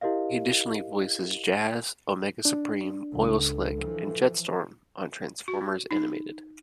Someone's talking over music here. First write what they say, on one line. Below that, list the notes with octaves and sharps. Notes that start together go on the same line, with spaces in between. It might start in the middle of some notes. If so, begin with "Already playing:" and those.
He additionally voices Jazz, Omega Supreme, Oil Slick, and Jetstorm on "Transformers Animated".
E4 G4 A#4 D#5 F5
D4
C#2 A4
E3 F3
F#4
D#4